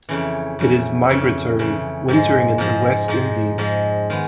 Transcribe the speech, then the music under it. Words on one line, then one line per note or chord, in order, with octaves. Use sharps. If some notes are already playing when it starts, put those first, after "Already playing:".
It is migratory, wintering in the West Indies.
F2 C#3 E3
F2 C#3 E3
F2 C#3 E3
F2 C#3 E3
G#2 F3 G#3
G#2 F3 G#3
G#2 F3 G#3
G#2 F3 G#3
D#3 G#3 B3